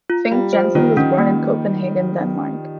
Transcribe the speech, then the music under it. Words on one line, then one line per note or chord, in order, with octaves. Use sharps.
Fink-Jensen was born in Copenhagen, Denmark.
F4
G3 F5
F3 C5
D#3 F4
D#3 C#4
A#3